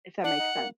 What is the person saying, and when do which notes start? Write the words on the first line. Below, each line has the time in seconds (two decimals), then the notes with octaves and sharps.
if that makes sen
0.24 D4 F#5
0.39 D#4
0.55 A#3